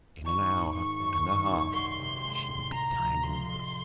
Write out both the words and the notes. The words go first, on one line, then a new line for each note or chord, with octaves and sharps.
In an hour and a half she would be dining with us.
D#3 C#6
G#1
G#3 C#6
F#2
D#3
C2
F#3 C6
C3
G#3
A2
A2 A#5
F3
F3 C6
F2